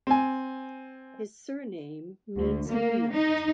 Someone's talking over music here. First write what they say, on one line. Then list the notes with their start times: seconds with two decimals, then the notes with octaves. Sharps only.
His surname means "midnight".
0.07 C4 G#5
2.36 D2
2.69 A#3
3.13 D#4